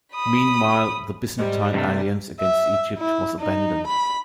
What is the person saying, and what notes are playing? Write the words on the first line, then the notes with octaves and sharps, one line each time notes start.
Meanwhile, the Byzantine alliance against Egypt was abandoned.
B5 D#6
G#2 G3
G2 C3 A3
E5
E4
D#4
B5